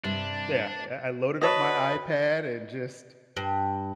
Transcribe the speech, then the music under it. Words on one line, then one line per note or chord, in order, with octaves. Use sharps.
Yeah, I I loaded up my iPad and just
G2 C3 G3 D4
F#4 B4 C#5 D#5 A5
G2